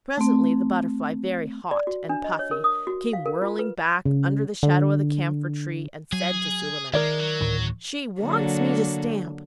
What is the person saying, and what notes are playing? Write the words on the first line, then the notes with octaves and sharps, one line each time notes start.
Presently the Butterfly, very hot and puffy, came whirling back under the shadow of the camphor-tree and said to Suleiman, 'She wants me to stamp!
A3 C4
D5
F#4
D4
D#5
C#5
A#4
D#6
F#4
F5
A#4
F4
B4
C#3
D3
F#3 G#4
D#3 G#3 A#4 D5 E5
F#3
D2 A2 D#3
D3 F#3 A#3